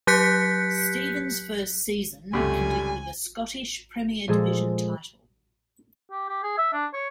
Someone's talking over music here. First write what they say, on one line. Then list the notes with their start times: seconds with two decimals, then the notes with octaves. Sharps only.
Stevens' first season ended with a Scottish Premier Division title.
0.07 F#3 G4 F#6 G6 B6 C#7
2.33 C#2 F#2 C3 G3 A3 G#5
4.28 A#2 F3 G#3 G#4 A4
6.11 G4
6.29 G4
6.43 G#4
6.58 E5
6.73 D4
6.94 C#5